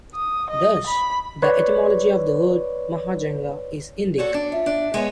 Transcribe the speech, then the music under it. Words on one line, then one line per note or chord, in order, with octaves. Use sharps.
Thus, the etymology of the word "Mahajanga" is Indic.
D#6
D#5
B5
B4 C#5 D5
F#4 A4 C#5 D5
D4
F4 E5
D4
G#3 B3 C#5